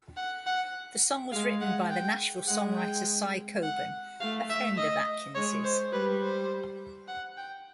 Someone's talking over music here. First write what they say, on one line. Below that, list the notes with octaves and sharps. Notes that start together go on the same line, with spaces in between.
The song was written by the Nashville songwriter Cy Coben, a friend of Atkins's.
F#5
F#5
G#3 F5
F#5
G5
G#3 F#5
G5
F#5
A3 F5
E5
D#5
G#3 C#5
C5
G3 B4
C5
F#5
G5